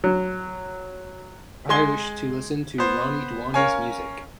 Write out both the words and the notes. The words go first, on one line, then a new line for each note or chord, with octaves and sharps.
I wish to listen to Roni Duani 's music.
F#3
G#3 G#5 C6 G#6 G7
B3 C5
C#4 A#4 C#5 F5 G#5